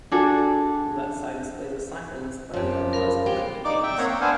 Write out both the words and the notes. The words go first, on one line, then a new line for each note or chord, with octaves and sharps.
The left side displays a cycle inspired by the first book of the Kings.
D4 F#4 G#4 A4
F#2 F3 G4
A#4 F5 B5
G#3 F4 G4
D#4 D5 D6
E5 G5
A#3 C4 C#5 F#5 A#5
G5
B3 D4 C5 F5 F#5 G#5